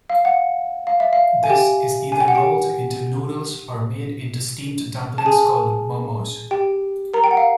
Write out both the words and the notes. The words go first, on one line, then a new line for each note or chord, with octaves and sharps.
This is either rolled into noodles or made into steamed dumplings called momos.
F5
F#5
F5
E5
F5
G#5
G4 G5
G#5
G5
F#5
G4 G5
A5
G#4 G#5
G4 G5
A#4 A#5
G5
F#5
F5